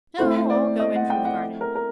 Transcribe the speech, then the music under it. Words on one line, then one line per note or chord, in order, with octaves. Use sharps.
"No, I'll go in from the garden."
A3 C4 E4 A4 C5
D5
D#5
F#5
G5
F#5
A#4
A#4